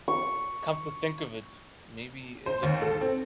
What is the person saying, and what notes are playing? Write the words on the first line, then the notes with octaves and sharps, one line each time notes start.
Come to think of it, maybe he is a guru.
C#6
C5
D#2
A4
C4